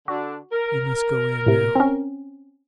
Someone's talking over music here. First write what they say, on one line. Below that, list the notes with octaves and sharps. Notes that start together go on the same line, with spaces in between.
"You must go in now!"
D3 D4 F#4
A#4
A2 C3
C4 C#4